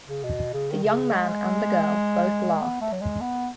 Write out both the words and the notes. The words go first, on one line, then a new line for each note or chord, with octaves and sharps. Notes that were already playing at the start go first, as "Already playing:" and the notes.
The young man and the girl both laughed.
C#3
B2
C#3
D#3
C#3
G#3
B3
A3
F#3
G#3
B3